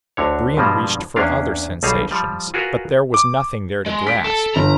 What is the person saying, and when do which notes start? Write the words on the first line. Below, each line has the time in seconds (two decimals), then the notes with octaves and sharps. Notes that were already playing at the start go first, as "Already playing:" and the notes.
Brion reached for other sensations, but there was nothing there to grasp.
0.17 D2 D3 C#5
0.57 G2 B2 F3 G3 G#3
1.16 E2 A#3 C#4 D4 F5
1.83 B1 B2 G3 D#4 G#4 F5
2.11 F3 G3
2.54 F4 F#4 G#4 A#4 B4
3.14 D6
3.86 G#3
4.07 B6 D7
4.25 A4
4.56 G1 A#5